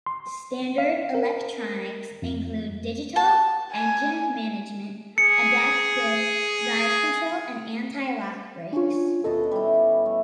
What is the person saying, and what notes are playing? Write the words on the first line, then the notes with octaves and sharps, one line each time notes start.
Standard electronics included digital engine management, adaptive ride control and anti-lock brakes.
C6
F5
A#4
F2
A5
G#5
G#4 C#7
C#4 D4 F4 C#5
D#2 B2 A4 D#5 A5
G3 E4
A3